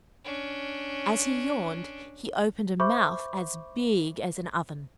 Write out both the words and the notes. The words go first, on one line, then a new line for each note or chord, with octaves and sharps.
As he yawned, he opened a mouth as big as an oven.
C#4 D4
C5 E5 B5 C#6 D6 G6